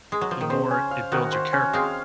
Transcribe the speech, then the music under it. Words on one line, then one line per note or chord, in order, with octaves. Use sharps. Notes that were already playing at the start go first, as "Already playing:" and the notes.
the more it builds your character,
G#3
F#3
F3
D#3
C#3 C5
C#4
F5
D#3 F#4
C5
C#4
G#3 C4 F5